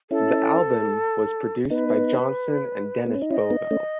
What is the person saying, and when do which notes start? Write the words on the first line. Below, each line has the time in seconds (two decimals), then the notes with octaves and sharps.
The album was produced by Johnson and Dennis Bovell.
0.10 C#4 E4 A4
1.70 B3 D#4 B4
3.06 B3
3.14 C#4
3.22 D#4
3.31 C#4 E4 D#5
3.50 B3 D#4
3.71 A3 C#4